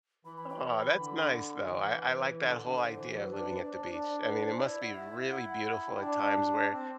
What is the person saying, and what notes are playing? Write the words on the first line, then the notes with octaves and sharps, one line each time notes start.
Aw, that's nice, though, I I like that whole idea of living at the beach. I mean, it must be really beautiful at times where,
E3 B5
B5
G5
B5
D3
E3
D3
D3
D3 C5
E3
F#3 B4
D4
C5
D4
D4
D4 D5
D5
B4
C5
E4 D5
F#5
E5
F#5
F#5
B5
G5
D4 D5
C4